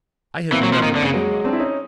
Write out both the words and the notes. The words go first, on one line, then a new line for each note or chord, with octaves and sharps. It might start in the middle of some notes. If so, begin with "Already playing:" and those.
"I have never been in love."
E3 A#3 C4
F#3
F3
D#3
D3
C#3
F#3 G#3
C4 D4
E4
C#4 D#4